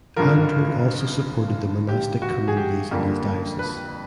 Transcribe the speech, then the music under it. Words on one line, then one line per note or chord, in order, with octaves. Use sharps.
Andrew also supported the monastic communities in his diocese.
G#1 G2 D3 F3 A#4
G4
F#4
G#4
G4
F2 D3 G3 A#3
B4